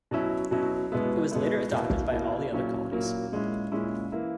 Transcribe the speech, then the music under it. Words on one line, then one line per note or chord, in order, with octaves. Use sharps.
It was later adopted by all the other colonies.
B2 F#3 C#4 E4
B2 F#3 C#4 E4
B2 G#3 B3 E4
B2 G#3 B3 E4
B2 A#3 E4
B2 A#3 E4
A#2 F#3 A#3 C#4 E4
A#2 F#3 A#3 C#4 E4
A#2 G#3 C#4 E4
A#2 G#3 C#4 E4
E3 A#3 E4